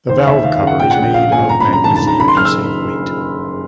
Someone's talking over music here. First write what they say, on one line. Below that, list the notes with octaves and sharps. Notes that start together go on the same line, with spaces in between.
The valve cover is made of magnesium to save weight.
D#2 C5
D#2 E5
D#2 F5
F5
C#3
F#5
A#2 G5
F#5
A#1
G5
A#1 F5
A#2 G#5
G1 A#5
B5
F#2
A#5
D#3 A5
A5
D#3 A#5
F#1 B5
C6
F#1 F6
E6